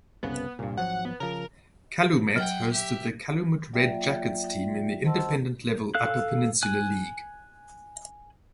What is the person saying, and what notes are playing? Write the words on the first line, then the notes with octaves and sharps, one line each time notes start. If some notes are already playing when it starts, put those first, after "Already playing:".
Calumet hosted the Calumet Red Jackets team in the Independent level Upper Peninsula League.
F#1 C2 C#3 B3
C2 G2 A#2
G#1 F3 F#3 F#5
B3
C#3 F3 A#4
F#3 F#5 G5
G4 E5
F#3 A#3 F4 D5 E5 G5
C5 D#5 F#5 A5 C6 E6
A4 F5 F#6
G#5 F#6